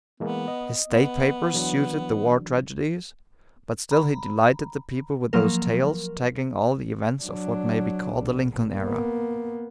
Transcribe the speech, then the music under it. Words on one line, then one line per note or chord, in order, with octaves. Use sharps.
His state papers suited the war tragedies, but still he delighted the people with those tales, tagging all the events of what may be called the Lincoln era.
E3 G#3 A#3 B3
D#5
B3
E3 F#3 D4
A#5 B5
F3 F#3 A#3 A#4
F#3 D4
A#1
A#3 B3